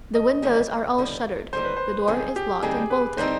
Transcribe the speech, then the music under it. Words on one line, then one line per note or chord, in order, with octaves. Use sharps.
The windows are all shuttered, the door is locked and bolted.
D#5
D#2 D3 G3
D#2 D3 G3
D#2 D3 G3 C5
B4
C5
D3 G3 C4 D#4 G#4
G4
D3 G3 C4 D#4 G#4
B4
D3 G3 C4 D#4 C5